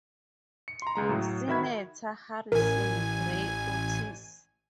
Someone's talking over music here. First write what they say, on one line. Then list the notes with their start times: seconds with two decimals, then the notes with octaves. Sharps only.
Senator Harrison Gray Otis.
0.68 C#7
0.82 A#5 C6
0.95 C#2 G#3 A#5
1.09 A2 F#3
1.48 D#3 F#4 E5 B5 G#6
2.52 A1 A#4 G#5